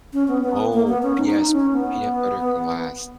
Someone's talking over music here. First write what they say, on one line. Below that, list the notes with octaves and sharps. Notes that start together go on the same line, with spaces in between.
Oh, p yes, peanut butter can last.
C#4
B3
B3
A#3
B3
C#4
D#4
D#4
C#4
B3